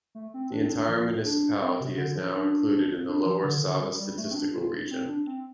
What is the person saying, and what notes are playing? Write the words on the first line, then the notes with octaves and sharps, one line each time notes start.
The entire municipality is now included in the Lower Sava Statistical Region.
A3
C4
D4
C4
D4
F3
D4
C4
C3
C3
D3
F3
D4
D4
F3
D3
D3
G3
G3
A3
C4
D4
F4
C4
D4
C4